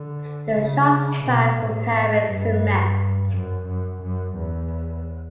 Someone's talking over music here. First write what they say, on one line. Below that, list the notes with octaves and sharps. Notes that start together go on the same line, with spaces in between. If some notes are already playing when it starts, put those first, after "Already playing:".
The shots span from Paris to Metz.
Already playing: D3
C#3
B2
A2
G2
F#2
F#2
F#2
E2